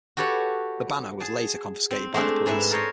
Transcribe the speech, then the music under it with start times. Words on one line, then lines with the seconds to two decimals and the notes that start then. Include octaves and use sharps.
The banner was later confiscated by the police.
0.17 F#4 G4 A4 B4 C#5 F#5
1.20 G#4 A5
1.91 C4
2.14 G#3 A3 C4 D4
2.46 G#2 G#3 B4 E5
2.71 A4 A#4 C5 C#5 D#5